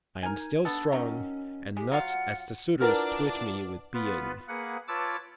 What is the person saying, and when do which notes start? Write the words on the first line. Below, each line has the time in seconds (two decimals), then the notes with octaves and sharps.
I am still strong, and not as the suitors twit me with being.
0.23 D#4 A#4 G#5
0.65 B3 D4 A4
0.92 D#3 F#3 C#4
1.77 G#3 G4
1.91 F#3 F4 F5 F#5
2.80 D4 E4 F4 A#4 B4 D5 F#5 F6
3.94 B3 F4 B4
4.48 A#3 G#4 B4 F#5
4.88 F4 B4 C#5 A5 D6 E6